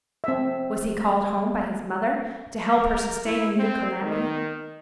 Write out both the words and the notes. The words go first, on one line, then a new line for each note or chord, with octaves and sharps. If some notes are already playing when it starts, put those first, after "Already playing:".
Was he called home by his mother to help her sustain a new calamity?
C4 E5
A#4
E4
C4
D#3